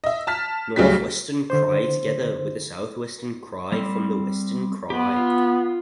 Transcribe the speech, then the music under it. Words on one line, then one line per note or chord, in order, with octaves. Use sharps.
Northwestern Krai together with the Southwestern Krai formed the Western Krai.
D#5 E5
A5 F6 B6
D2 C#3 F#3 G3 B6
D3 C5
G3 C4
B3 G4 B4
F4